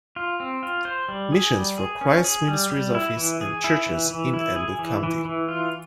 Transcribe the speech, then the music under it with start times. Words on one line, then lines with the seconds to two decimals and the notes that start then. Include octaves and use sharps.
Missions for Christ Ministries office and churches in Embu county.
0.16 F4
0.40 C4
0.63 F4
0.85 C5
1.09 G3
1.32 G#4
1.55 G3
1.78 G#4
2.01 C#4
2.24 G#4
2.48 G3
2.71 G3
2.95 E4
3.17 E3
3.41 G#4
3.64 E4
3.86 E3
4.11 E3
4.34 E4
4.56 G#4
4.79 E3
5.03 E3
5.25 E3
5.48 F4